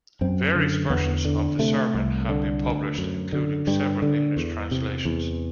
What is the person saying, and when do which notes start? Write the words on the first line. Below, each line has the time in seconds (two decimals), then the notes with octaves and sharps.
Various versions of the sermon have been published, including several English translations.
0.21 F#2 C4
0.55 D3
0.90 E2 B3
1.25 D3
1.59 C3 A3
1.94 C2
2.29 D3
2.64 D2
2.98 F#2
3.33 D3
3.67 G2 G3
4.02 D3
4.37 E2
4.71 C3
5.05 E2